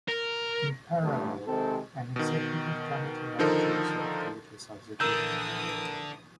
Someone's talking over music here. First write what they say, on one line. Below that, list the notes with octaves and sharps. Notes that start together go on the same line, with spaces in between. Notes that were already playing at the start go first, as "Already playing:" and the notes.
In parallel, an Executive committee manages the activities of the group.
A#4
A1 G2 D3 A3
C3 D#3 G#3 C4 A4
B2 D#3
D3 D#3 F3 D#4 A4 A#4
A#1 D3 E3 A#4 D#6 E6 G6